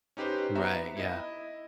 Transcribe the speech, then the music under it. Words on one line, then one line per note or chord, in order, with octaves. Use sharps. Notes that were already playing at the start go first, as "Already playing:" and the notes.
Right, yeah.
C#4 D#4 G4 B4 C5
B3 E5 A#5
E4 D#5